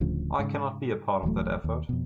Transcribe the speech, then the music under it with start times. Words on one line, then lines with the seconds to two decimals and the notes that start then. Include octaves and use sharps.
I cannot be a part of that effort.
0.01 D1 D2 C#3 F3
0.39 G#2 C#3
1.23 D#1 E3 F#3 A3
1.64 D#2
1.89 F2 B2